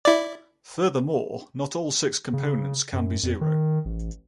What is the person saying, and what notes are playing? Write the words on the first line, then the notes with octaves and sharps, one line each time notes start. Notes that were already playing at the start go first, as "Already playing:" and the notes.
Furthermore, not all six components can be zero.
E4 D5
C#3
F#2
F2
D#3
A1